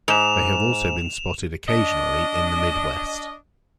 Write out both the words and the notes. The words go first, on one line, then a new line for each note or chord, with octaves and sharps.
They have also been spotted occasionally in the Midwest.
G#2 E7 F7
D4 D#5